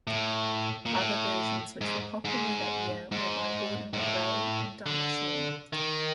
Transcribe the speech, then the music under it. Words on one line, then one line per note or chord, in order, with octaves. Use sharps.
Other versions which were popular that year were by Gordon MacRae and Dinah Shore.
A2
A#2
A2
G#2
G#2
G#2
G#2
A2
D3
D#3